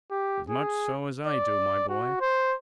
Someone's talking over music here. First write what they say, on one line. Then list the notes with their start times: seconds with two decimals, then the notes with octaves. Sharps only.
"As much so as I do, my boy!"
0.11 G4
0.50 G#4
1.27 D5
1.89 F#4
2.21 C5